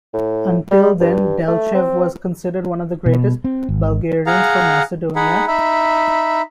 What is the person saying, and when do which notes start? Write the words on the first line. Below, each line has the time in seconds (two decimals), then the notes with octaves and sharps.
Until then Delchev was considered one of the greatest Bulgarians from Macedonia.
0.14 A2
0.71 G3
1.01 G2
1.48 A3
1.74 C4
3.06 B2
3.44 C4
3.69 G#1
4.27 G#4 F5 F#5 A#5
5.16 D#4 G#4 F#5 B5
5.47 D#4 E5 B5